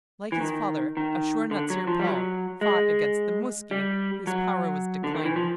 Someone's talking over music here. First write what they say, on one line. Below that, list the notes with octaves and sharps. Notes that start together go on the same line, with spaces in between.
Like his father, Ashur-natsir-pal fought against the Muski, whose power was declining.
E3
D#3
D#3
D3
F#3
F3
G3
F#3
G#3
G3
F#3
D3
D#3
E3
F3